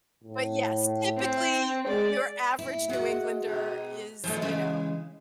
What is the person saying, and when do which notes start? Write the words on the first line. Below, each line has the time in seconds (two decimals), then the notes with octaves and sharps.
but yes, typically, your average New Englander is, you know
0.24 A2
1.18 C4
1.88 G#3 D5
2.59 E4
2.89 G#3 F#4 F#5
3.45 G#2 B2
4.24 A2 D#3 F3 A3 C5
4.42 C#3 E3 G3 G#3